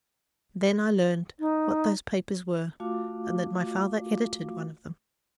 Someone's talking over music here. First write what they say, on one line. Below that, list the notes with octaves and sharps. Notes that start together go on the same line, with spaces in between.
Then I learned what those papers were, and that my father edited one of them.
D#4
A3 F4 F#4 F5 D6